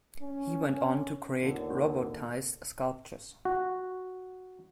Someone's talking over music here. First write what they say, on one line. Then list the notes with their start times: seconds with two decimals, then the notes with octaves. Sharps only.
He went on to create robotized sculptures.
0.21 C#4
1.42 D#2 A#2 D3 B3
3.45 F#4